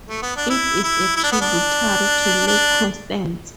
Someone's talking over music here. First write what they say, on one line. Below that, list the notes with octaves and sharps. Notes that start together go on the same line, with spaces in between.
It is a tributary to Lake Constance.
A3
B3
D4
E4
E4
E4
D4
B3
D4
D4